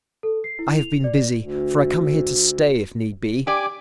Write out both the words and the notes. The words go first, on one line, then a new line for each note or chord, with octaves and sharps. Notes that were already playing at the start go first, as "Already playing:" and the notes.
I have been busy, for I come here to stay if need be.
A4
C7
E4
F7
D5
D2
G4 D5 G#5 D6